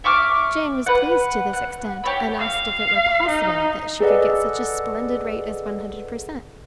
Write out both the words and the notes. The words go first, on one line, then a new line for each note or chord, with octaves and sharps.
Jane was pleased to this extent, and asked if it were possible that she could get such a splendid rate as one hundred per cent.
E5 C#6 D6 F6
B4 F#5
F#5
G4 C#5 B5
F5
D#4
G#4 A4 B4 D5 D#5 F#5